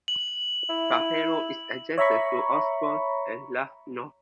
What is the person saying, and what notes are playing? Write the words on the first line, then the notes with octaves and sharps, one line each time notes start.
Taperoo is adjacent to Osborne and Largs North.
F#7
E4
C#5 E5 A#5 B5 C#6